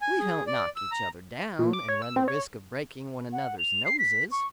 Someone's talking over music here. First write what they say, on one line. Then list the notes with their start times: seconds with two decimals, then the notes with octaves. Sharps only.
"We don't knock each other down and run the risk of breaking one another's noses."
0.01 G#5
0.20 G#4
0.47 D5
0.76 E6
0.92 A#5
1.59 A#2
1.73 D6
1.88 C#5
2.02 E6
2.16 C4
2.28 C#5
3.33 F#5
3.59 F7
3.85 C7
3.99 B6
4.32 C#6